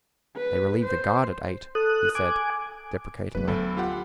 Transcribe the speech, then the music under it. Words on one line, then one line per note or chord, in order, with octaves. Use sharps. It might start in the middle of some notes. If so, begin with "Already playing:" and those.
"They relieve the guard at eight," he said deprecatingly.
B4
C5
A4 D#6 F#6
G#5 D6
F#3 B3 B4
D2 A4 B5
F4 G4 F#5